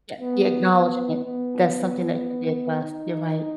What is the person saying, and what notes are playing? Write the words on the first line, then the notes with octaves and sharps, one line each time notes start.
Yeah, the acknowledgement. That's something that you did last you're right.
B3
B3
B3
D#4